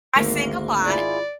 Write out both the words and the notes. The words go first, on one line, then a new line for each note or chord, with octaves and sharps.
I sing a lot,
G#1 D2 A#3
E4 F4 G#4 D5